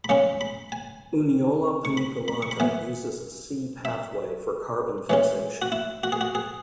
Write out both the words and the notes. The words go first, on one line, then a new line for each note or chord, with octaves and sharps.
"Uniola paniculata" uses a C pathway for carbon fixation.
B5
C#3 G#3 C#4 C#6
B5
G#5
C#6
B5
B5
C#6
B5
E3 B3 G#5
E5
E3 G#3 C#4 C#5
F#4
E4
F#4
G#4
F#4
G#4